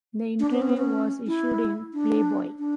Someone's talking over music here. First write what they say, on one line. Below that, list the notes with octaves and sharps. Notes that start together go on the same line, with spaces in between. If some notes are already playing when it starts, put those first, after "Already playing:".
The interview was issued in "Playboy".
D4
B3
C#4
B3
C#4
E4
D4
D4